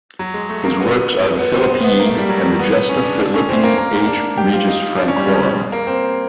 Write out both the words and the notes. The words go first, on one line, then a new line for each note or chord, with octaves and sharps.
His works are the "Philippide" and the "Gesta Philippi H. regis Francorum".
F#3
G#3
A3
A#3
B3
B3
C4
B3
B3
A#3
A3
G3
F#3
B3
C#4
D4
D4
C#4
C4
A#3
A#3
D4
G4
F4
D#4
D4
C#4
G3
G#3
A#3
C4